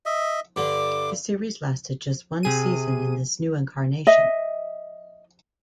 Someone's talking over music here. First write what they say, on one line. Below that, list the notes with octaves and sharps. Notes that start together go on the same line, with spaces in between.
The series lasted just one season in this new incarnation.
D#5 E5
G2 D3 D6
C3 G#4 D#7
D#5 E5